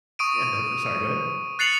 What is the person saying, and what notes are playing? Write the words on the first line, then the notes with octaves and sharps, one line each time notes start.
yeah, no, g sorry, go ahead.
C#6 D#6 D7 D#7
F#6 A6 C7 C#7 F7 F#7